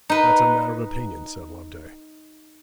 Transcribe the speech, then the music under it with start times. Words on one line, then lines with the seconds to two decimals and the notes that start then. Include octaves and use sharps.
'That's a matter of opinion,' said Loveday.
0.10 D#4 B4